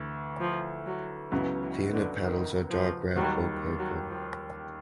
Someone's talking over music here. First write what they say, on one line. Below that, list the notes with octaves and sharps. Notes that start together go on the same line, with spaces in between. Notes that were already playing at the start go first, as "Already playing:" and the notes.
The inner petals are dark red or purple.
Already playing: D2 E3
F3
F#3
C#2 C#3 E3 F#3 B3
E3
D3
D#3
F3
D#2 D#3 F#3 G3
F#3
F3